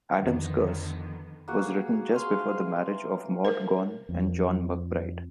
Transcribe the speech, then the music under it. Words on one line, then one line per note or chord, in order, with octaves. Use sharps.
"Adam's Curse" was written just before the marriage of Maud Gonne and John MacBride.
F2 D3 D#3 B3
A#3 F#4 G#4
G#4 F5 C6
E3
C3 A#4
F2